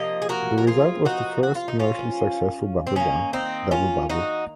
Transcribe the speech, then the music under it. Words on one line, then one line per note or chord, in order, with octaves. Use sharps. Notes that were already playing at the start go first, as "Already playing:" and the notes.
The result was the first commercially successful bubble gum, Dubble Bubble.
Already playing: C3 F3 A#3 D#5
G#4
F#4 A#4
A#4
F4 G#4
D#4 F#4
F#4
F4
D#4
C#4 F4
C4
D#3 A#3 C#4
C4 D#4
C#4 F4
D#4 F#4